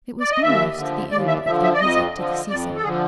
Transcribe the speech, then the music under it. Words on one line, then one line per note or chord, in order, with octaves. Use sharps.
It was almost the end of their visit to the seaside.
D5
D#5
D#2 E5
D3 F3
D#2 D5
E5
D3 F3 E5
E5
D5
F2 D#5
D3 F3
F2 D5
A4
D3 F3 G#4